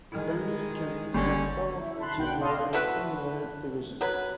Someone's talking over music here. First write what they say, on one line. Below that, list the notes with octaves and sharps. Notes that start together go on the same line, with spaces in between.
The league consists of both junior and senior divisions.
D#3 G#3 E4
G1 D3 G3 C#4
E4
A5 B5 C6 F#6
B1 D3 F#5 G5 F#6
D4 A4 D#5 F5 C6
A3 E4 F#4 B4
F#3 B4